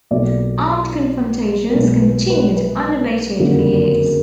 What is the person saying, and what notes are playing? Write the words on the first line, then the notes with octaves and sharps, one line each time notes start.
Armed confrontations continued unabated for years.
B1 A#2 F#3 D5
A#4
B1 A#2 G#3 B3 B4
B4
B4
B4
F#1 F2 D3 F#3 A#3